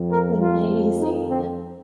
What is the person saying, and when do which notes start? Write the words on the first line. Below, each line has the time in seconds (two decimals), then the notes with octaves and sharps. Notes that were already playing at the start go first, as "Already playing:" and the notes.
That's amazing.
Already playing: F2 F3
0.10 A#4
0.40 F4
0.99 D#4
1.29 C4